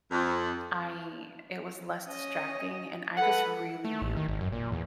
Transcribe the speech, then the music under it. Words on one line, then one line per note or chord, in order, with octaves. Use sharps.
I it was less distracting, and I just really
F2
C#4 D#5
A4 B4 F#5
A3
A1
D#3
G#1
F#2
A#2
E2